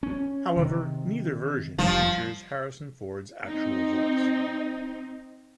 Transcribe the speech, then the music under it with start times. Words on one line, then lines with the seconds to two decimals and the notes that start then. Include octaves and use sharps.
However, neither version features Harrison Ford's actual voice.
0.03 C#4
0.57 C3 D#3
1.78 F1 F3 G3
3.46 C4 D#4